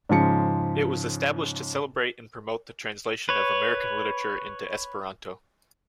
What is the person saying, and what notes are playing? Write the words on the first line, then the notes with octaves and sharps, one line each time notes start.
It was established to celebrate and promote the translation of American literature into Esperanto.
G#2 C#3 F3 C#7
B4 C#5